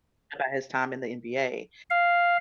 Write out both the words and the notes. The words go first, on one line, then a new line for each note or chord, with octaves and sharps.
about his time in the NBA,
F5